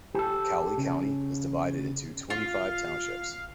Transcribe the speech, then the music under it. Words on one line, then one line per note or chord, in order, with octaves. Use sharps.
Cowley County is divided into twenty-five townships.
G4 A4
C#3
F4 F5